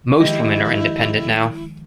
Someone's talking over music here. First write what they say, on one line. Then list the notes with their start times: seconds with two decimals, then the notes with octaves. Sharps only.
Most women are independent now.
0.21 D#3 F3 G#3 E4 G4 D#5